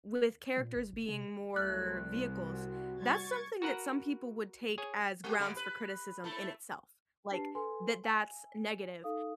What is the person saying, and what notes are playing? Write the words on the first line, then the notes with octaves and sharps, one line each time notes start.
with characters being more vehicles, that's something that some people would take as grounds for criticism in itself, like, that that's negative.
A#2
G1
F#1
C3
C2 A3 F#6
F#4
C#6 G#6 A6
F#4 A#4 B4 F#5 A#5
G#4 C#5 G#5
G#3 G4
D3 G3 D4
B4
A3 E4 A4
D4 G4 B4 A5 C7
A4 B4 G#5 C6
E5 G#5
D#4 A4 F5 D#6